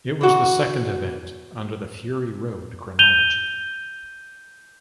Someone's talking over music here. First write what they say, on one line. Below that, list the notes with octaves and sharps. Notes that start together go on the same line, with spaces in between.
It was the second event under the Fury Road chronology.
E3 F#4
G6 D#7 F7 G7